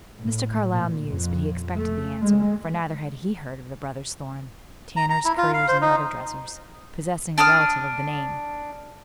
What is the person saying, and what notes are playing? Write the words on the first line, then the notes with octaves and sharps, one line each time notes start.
Mr. Carlyle mused, but he expected the answer, for neither had he heard of the brothers Thorn, tanners, curriers, and leather-dressers, possessing a relative of the name.
A2
A#2
F2
A3
G#3
A#5
A#5
E4
F4
F5
C5
D#4
D4 A5 D#6 F6